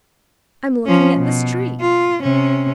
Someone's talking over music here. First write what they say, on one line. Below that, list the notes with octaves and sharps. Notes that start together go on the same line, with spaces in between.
'I'm looking at this tree.
F3 C#4
B2
F4
C3 C#4